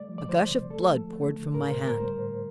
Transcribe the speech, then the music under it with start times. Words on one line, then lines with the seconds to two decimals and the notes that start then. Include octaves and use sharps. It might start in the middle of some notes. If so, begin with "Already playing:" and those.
A gush of blood poured from my hand.
Already playing: G3 A3 D5
0.08 F3
0.18 D5
0.29 F3 C5
0.51 C3
0.70 A3 A4
0.92 F3
1.13 A3
1.34 D3
1.54 A2 A#4
1.69 C5
1.76 A2
1.82 A#4
1.97 G3 C5
2.18 A2